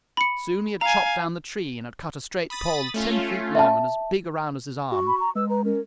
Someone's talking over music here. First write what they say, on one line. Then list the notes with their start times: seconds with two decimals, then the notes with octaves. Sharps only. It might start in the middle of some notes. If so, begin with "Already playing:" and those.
Soon he had chopped down the tree and had cut a straight pole ten feet long and as big around as his arm.
0.17 B5 C#7
0.81 F5 G#5 A#5
2.50 B5 D#6 A6
2.94 A3 C#4 F4
3.55 E5 A5
4.92 F#4 C#6
5.06 B5
5.20 A#5
5.35 G#3 B4 E6
5.49 B4 A#5
5.64 C#4 A#4